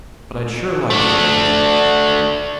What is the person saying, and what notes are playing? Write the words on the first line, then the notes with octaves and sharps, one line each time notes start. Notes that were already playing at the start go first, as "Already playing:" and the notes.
But I'd sure like to, Amos.
A3 D4